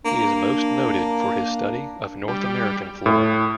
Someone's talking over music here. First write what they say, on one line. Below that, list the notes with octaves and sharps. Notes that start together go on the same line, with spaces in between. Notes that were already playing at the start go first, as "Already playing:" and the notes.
He is most noted for his study of North American flora.
A#3 D4
G3
A2